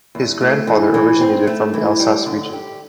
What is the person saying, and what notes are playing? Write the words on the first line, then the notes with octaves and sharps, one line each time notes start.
His grandfather originated from the Alsace region.
E2
A3
E3
E3
C4
A3
E3
G3
D3
G4